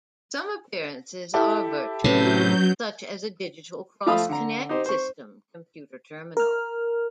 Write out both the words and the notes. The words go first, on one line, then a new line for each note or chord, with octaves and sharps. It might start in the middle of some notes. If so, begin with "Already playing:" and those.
Some appearances are virtual, such as a Digital cross connect system computer terminal.
E4 G4 A4
A2 C3 F#3 C#4 B4 C#5 G6
F3 A3 F5 B5 D#6
D3 A#5
D#4 G4 C5
C5 C#6
A#4 F6